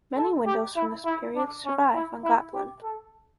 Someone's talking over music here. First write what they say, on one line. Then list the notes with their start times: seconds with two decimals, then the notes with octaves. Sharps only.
Many windows from this period survive on Gotland.
0.17 A4
0.46 G4
0.76 E4
1.05 E4
1.35 D4
1.65 C#4
1.95 E4
2.24 E4
2.53 G4
2.83 A4